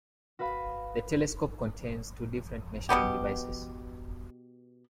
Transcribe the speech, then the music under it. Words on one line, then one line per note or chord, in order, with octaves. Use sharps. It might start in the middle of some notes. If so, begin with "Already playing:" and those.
The telescope contains two different measuring devices.
F#4 B4 F5 B5
B2 F3 B3 G4